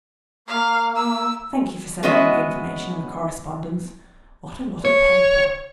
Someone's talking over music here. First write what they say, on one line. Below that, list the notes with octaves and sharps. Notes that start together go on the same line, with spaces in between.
Thank you for sending me the information and the correspondence. What a lot of paper.
A#3 F5
E6
G#3 B3 C#4 F#4 D#5 E5
C#5